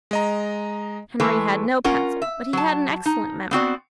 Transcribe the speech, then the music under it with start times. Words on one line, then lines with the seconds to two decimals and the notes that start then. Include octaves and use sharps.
Henry had no pencil, but he had an excellent memory.
0.11 G#3 D#5 A#5
1.20 E3 G#3 A3 B4
1.84 C#4 F4 A#4 F#5
2.22 E5
2.53 F#3 A5
3.06 D#4
3.51 B3 C4 F#4 D5